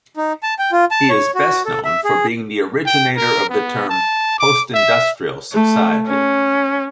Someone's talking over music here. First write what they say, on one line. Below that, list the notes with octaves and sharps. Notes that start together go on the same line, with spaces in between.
He is best known for being the originator of the term "post-industrial society".
D#4
A5
G5
F4
A5
C#5
F#4
A4
E5
G#4
G5
A#4
B3
A5
D6
E5
A3
C#4